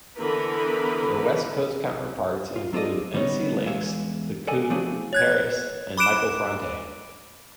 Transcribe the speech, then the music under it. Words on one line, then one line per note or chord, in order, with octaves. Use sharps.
Their West Coast counterparts include Emcee Lynx, The Coup, Paris, and Michael Franti.
D3 E3 B3 A#4 B4 B5
F4
F#3 C4 F4 A4 D5 D#5
D3 G3 B3 C#4 D#4
E2 G#3 E5 F5
A4 A#4 D5 D#5 F#5 G#5
F3 A3 C4 D4 E4 G#4
C#5 F#6 G#6
B5 D6 F#6 D7 E7